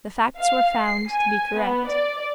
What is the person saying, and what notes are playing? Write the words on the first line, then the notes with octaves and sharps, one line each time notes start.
The facts were found to be correct.
F5
C7
G#5
B3
D5